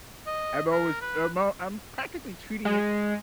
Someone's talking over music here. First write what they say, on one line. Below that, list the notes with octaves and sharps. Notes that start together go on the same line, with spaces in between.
I'm always I'm all I'm practically treating it
D#5
A#4
B4
G#3